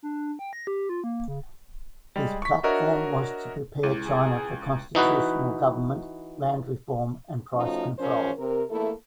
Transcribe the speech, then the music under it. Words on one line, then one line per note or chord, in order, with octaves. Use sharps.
His platform was to prepare China for constitutional government, land reform and price control.
D4
G5
A#6
G4
F4
A#3
C#3
G3 G#3
C#6 B6
D4 F#4 A#4 C#5 D#5 E5
C#2 E4
G#4
E3 D#4 F#4 B4
F3 A3 C#4 D#4 F4 F#4
F3 C#4 A#4 C5 C#5
C3 A#4
E2 A3 A#3 E4 A4